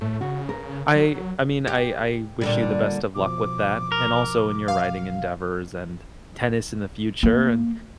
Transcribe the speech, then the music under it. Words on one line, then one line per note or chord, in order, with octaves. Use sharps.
I I mean, I I wish you the best of luck with that and also in your writing endeavors, and tennis in the future, and,
A2 A3
C#3 F#4
A#4
F#3
G4
A#2 D3 G3
B2 F3 D6
A#4
F5
A#3